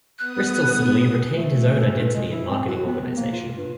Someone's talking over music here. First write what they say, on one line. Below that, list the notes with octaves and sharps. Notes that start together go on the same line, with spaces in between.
Bristol Siddeley retained its own identity and marketing organization.
B3 D#6 F#6
A3
A4
G2
G#3
E4
C4
F#4
B3
A#3
F4
G2